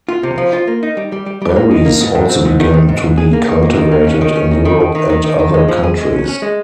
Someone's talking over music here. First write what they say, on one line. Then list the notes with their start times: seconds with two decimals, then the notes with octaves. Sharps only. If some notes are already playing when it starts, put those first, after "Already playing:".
Berries also began to be cultivated in Europe and other countries.
0.09 F4
0.23 C3
0.38 F3
0.53 F4
0.67 A#3
0.83 D#4
0.97 G3
1.12 G3
1.26 G3
1.42 G3
1.56 A#3
1.71 D#4
1.85 A#3
2.01 G#2
2.15 G#2
2.29 C4
2.45 G#2
2.60 D#3
2.74 G#2
2.89 G#2
3.04 G#2
3.18 G#4
3.33 A#3
3.48 D#3
3.62 A#3
3.77 D#3
3.91 A#3
4.07 C#4
4.21 D#3
4.36 C#4
4.51 D#3
4.65 D#3
4.80 D#3
4.95 D#3
5.09 D#3
5.24 D#3
5.40 D#3
5.54 G#3
5.69 F3
5.83 G#4
5.98 G#3
6.13 C#4
6.28 C#4
6.42 G#3